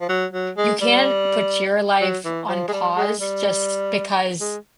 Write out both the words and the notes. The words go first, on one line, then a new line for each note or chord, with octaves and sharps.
you can't put your life on pause just because,
F3
F#3
F#3
G#3
G3
F#3
E3
F3
G#3
G3
G#3
G3
G#3